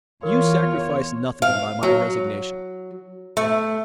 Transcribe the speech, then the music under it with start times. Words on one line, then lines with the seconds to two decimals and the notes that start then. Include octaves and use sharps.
You sacrifice nothing by my resignation.
0.23 E2 F4 A#4 C#5
1.42 F5
1.83 F#3
3.37 A3